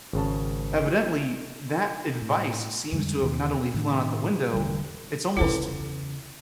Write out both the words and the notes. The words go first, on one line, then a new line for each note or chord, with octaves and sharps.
Evidently, that advice seems to have not only flown out the window, it's almost
G#1 C#3 A5
A2
F2 D3 G3 G#3
D#2 B2 D#3
A2 D#3 D4
E1 D#2 D3 G3
E2 C#3 E4 A4 B4